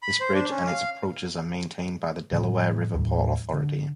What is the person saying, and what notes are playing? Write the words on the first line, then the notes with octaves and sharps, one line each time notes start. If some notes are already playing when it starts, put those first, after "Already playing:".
This bridge and its approaches are maintained by the Delaware River Port Authority.
B5
C5
D4
C#4
F5
A2 C#3 F3 G3
D#2 A2 F#3
D3